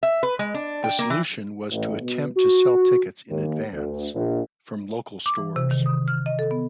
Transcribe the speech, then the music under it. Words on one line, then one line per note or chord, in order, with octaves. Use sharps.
The solution was to attempt to sell tickets in advance, from local stores.
E5
B4
G#3
D4
G5
A#3
E3
A1
B2
F#4
D#2
D2
A#1
D6
E3
C3
D#3
D#6
F6
D#5
A4
B3